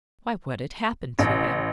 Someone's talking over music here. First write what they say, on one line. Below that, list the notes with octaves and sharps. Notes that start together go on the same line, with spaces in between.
Why, what had happened to him?
A1